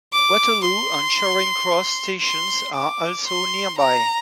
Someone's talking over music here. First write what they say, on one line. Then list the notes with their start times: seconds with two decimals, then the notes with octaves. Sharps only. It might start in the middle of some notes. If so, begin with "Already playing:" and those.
Waterloo and Charing Cross stations are also nearby.
0.13 D6
0.65 C6
2.22 C6
2.75 D6
3.27 C6
3.78 A#5